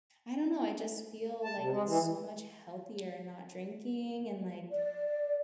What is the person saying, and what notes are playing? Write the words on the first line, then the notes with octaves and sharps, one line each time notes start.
I don't know. I just feel, like, so much healthier not drinking, and, like,
A5
C3
G#3
E3
D5